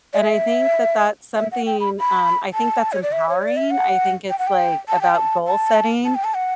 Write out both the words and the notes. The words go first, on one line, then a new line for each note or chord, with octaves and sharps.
And I think that that's something, um, I think that's empowering. I think it's, like, about goal setting,
D5
E5
E5
F#5
G5
B5
B5
A5
C#5
D5
E5
C#5
D5
E5
F#5
G5
F#5
G5
A5
G5
A5
A5
A5
G5
A5
F#5